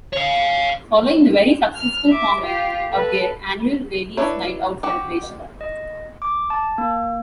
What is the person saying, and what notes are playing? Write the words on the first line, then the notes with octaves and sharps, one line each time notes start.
Following the very successful format of their Annual Ladies Night Out celebration...
C#5 F5
F6
E5 D6
F4 G4
A4 B4
D4 E4 B4 C#5
F#4 G4
D#5
D6
A5
A#3